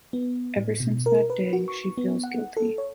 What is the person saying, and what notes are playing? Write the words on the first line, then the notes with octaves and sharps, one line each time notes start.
Ever since that day she feels guilty.
B3
A2
B2
A#4
B4
F#4
C#6
B3
F#5
A4
C#5